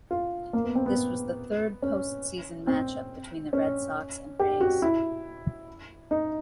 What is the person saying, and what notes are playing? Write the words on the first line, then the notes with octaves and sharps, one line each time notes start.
This was the third postseason matchup between the Red Sox and Rays.
F4
A#3
B3
C4
B3
C#4
C4
C#4
G4
F#4
E4
D#4